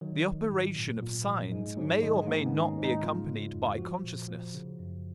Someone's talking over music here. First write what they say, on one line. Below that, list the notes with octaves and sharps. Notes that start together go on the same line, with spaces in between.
The operation of signs may or may not be accompanied by consciousness.
D#3 F#3
D#3
G#2
A#2
A#2
F3
G#2 G#3
G#2 F#3
D#3 G#3
G#2 A#3
B3
D#3 D#4
C#4
G#2
D#4
C#3 F4
C#3
F2
F3 F#4
A#2
F3
C#3
F#2